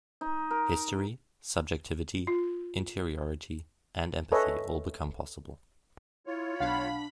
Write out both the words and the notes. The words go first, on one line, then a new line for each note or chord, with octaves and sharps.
History, subjectivity, interiority, and empathy all become possible.
D#4
A#4
F4
A4 B4 C#5 D#5 E5 G#5
E4 F4 C#5
B1 D4 F5 F#5 B5